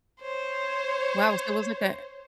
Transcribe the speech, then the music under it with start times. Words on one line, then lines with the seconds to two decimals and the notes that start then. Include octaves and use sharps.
Wow, so it was like a
0.21 C5 C#5